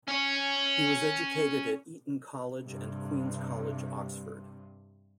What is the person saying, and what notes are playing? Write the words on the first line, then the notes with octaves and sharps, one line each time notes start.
He was educated at Eton College and Queen's College, Oxford.
C#4 C#5
G2 C3